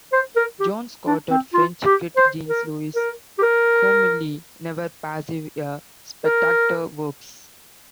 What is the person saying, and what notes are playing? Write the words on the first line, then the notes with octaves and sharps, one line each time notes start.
Jones quoted French critic Jean-Louis Comolli: "Never passive, a spectator works".
C5
A#4
G4
D4
C4
F4
G4
C5
A#4
A#4
G4
A#4
A#4